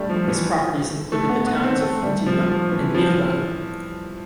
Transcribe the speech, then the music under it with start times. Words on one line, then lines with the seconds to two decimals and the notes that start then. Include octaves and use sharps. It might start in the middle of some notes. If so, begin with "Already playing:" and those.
His properties included the towns of Frontignan and Mireval.
Already playing: G3 A3 D4
0.10 F3
0.28 E3
1.12 A3
1.29 B3
1.47 B3
1.63 C4
1.81 A3
2.03 G3
2.26 F3
2.50 F3
2.72 E3
2.95 F3